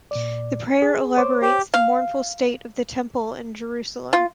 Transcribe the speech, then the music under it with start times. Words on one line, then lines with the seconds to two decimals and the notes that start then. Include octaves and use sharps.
The prayer elaborates the mournful state of the Temple in Jerusalem.
0.11 A#2 D5
0.82 G#4
1.17 C5 C#5 D6
1.42 G4
1.74 F5
4.13 F4